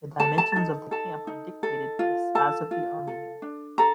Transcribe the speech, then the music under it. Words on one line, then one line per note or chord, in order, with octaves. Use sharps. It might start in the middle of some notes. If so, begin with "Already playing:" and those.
The dimensions of the camp are dictated by the size of the army unit.
A4 A5
A5
D#4 A5
A4 A5
D#4
A4
F4
A4 A5
F4
A4
D4
A4 A#5